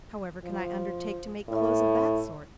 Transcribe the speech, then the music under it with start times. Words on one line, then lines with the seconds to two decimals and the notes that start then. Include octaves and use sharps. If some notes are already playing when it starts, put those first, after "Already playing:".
'However can I undertake to make clothes of that sort?
0.44 F3
1.48 A2